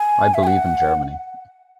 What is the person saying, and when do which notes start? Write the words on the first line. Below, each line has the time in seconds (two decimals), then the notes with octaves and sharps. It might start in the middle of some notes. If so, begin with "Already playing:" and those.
I believe in Germany.
Already playing: G#5
0.34 E5
0.43 G#5
0.47 F#5